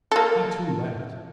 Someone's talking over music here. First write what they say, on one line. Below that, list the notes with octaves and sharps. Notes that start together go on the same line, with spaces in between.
He, too, laughed.
A#3 A4